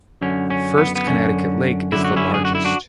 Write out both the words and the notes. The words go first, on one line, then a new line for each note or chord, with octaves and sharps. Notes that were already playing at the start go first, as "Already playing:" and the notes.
First Connecticut Lake is the largest.
F#2 D3 C#4
C#4
B3
B3
F#2 D3 C#4
F#2 D3 E4
F#4
C#4 E4
G#4
F#4
E4
D4 F#4